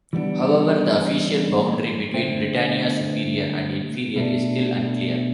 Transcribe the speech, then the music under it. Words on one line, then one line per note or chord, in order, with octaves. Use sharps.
However, the official boundary between Britannia Superior and Inferior is still unclear.
E3 G3 B3 D4
D3 A3 C4
B2 A3 D4